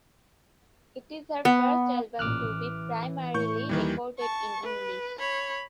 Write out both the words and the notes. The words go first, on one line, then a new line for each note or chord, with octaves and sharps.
It is her first album to be primarily recorded in English.
B3
A1 A#2 D6 F6 F#6
E3
A2 C#6 G6
D#2 D#3 E3 G3
A5 C#6
B4
C#5 B5